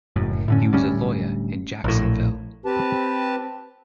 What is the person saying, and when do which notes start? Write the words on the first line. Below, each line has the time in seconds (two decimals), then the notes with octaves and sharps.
He was a lawyer in Jacksonville.
0.16 F#1 F#2 A2
0.48 A2 D3 C#4
0.72 D1 D2 G3 C#4
1.84 A#1 A2
2.66 C4 G4 B4 A5